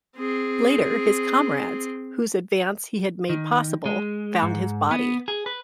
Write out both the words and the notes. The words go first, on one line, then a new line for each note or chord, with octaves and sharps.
Later, his comrades, whose advance he had made possible, found his body.
C4 G#4
D#3
G#3
G#2
B3
G#4
B4